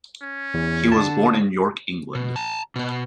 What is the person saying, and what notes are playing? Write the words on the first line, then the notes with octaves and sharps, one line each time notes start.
He was born in York, England.
C#4
E2
D3 A5
B2
A5 A#5
B2 B3